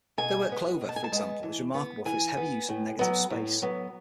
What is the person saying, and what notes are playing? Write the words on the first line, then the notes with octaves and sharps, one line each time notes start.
Their work "Clover" for example, is remarkable for its heavy use of negative space.
B2 G#5
G#3 B3
B2
A5
G#5
A5
G#3 B3
E3
B3
E3 G#5
B3
A2
F#3 B3
A2
F#3 B3